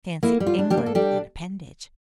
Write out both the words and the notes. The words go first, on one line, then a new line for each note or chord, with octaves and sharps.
Fancy England an appendage!
A#3 E4
G3
F4
D4
G3 G4
A#3
A4
G3 D4 G4